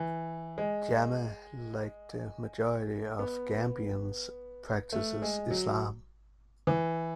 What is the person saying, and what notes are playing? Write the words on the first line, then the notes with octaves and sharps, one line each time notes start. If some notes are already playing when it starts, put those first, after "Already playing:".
Jammeh, like the majority of Gambians, practices Islam.
Already playing: E3
G#3
B3
A3
G#3
F#3
E3